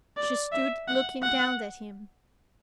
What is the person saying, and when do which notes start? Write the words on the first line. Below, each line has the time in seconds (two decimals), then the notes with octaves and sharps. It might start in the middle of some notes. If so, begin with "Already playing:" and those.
She stood looking down at him.
0.17 D5
0.52 E5
0.88 F#5
1.23 F#5